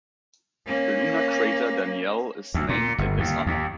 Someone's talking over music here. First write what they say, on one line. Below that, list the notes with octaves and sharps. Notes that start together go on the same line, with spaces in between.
The lunar crater Daniell is named in his honour.
A#3 C#4
D2
A#2
G1
D#2
D#2